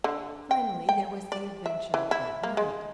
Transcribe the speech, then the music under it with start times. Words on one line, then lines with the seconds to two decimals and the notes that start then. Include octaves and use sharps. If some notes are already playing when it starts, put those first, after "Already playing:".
Finally, there was the adventure of that night.
0.04 D3
0.51 G5
0.89 G5
1.32 D5
1.66 E5
1.94 E3
2.11 E4
2.43 A#3
2.57 G#3